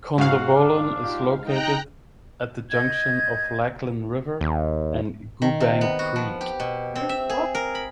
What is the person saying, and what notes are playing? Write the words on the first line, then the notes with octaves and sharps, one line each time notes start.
Condobolin is located at the junction of Lachlan River and Goobang Creek.
G#2 F#4 F5
D4
D#4 F4 G4
D#4 G5 A#5 F#6
D#5 G6 G#6
D#2
D#3
C3
B3
F#4
F3
G4
B2
C4
E5
G#4
A#4
B5